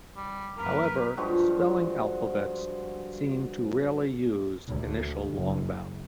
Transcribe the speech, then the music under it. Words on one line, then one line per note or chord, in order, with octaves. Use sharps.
However, spelling alphabets seem to rarely use initial long vowels.
G3
F#2 A#3 A#4 B4
G2 F3 G#3 F#4
D2
F#1